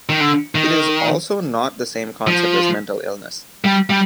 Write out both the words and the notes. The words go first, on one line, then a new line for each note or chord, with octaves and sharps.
It is also not the same concept as mental illness.
D#3
D3
D#3
F3
G3
G3